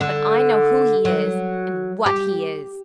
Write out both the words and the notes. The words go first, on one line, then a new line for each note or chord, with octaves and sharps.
But I know who he is and what he is.
D3
F#3
G4